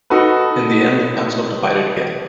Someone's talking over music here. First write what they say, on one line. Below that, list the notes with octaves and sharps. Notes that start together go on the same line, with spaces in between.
In the end, the council divided again.
D#4 F#4 A4 B4